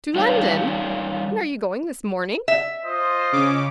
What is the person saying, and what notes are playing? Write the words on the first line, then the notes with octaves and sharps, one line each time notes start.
"To London!--and are you going this morning?"
G3 D#4 C#5 F5
E5
F4 C5 D#5
C#3 C#4 D6